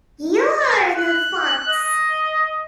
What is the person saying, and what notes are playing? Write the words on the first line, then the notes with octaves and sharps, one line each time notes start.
You're the fox!
F#6
D#5